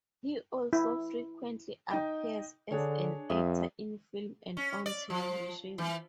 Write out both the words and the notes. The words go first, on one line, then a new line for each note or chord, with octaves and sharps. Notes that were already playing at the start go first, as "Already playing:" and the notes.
He also frequently appears as an actor in film and on television.
E4
D#4 D#5 G5
D3 D4 G#4 C#5
F2 E5 D#6
C#4
D5
F3
E3